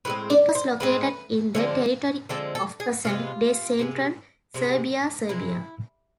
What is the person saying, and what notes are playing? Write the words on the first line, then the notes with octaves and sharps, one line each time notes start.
It was located in the territory of present-day Central Serbia, Serbia.
A2 G#3 C4 B4
D5
C5
A2 G#3 C4 B4
D3 F3 G#3 C4
D3 F3 G#3 C4 A4
A4
G#4
C3 G#3 B3 F4
C3 G#3 B3
C3 G#3 C4
C3 G#3 C4 E4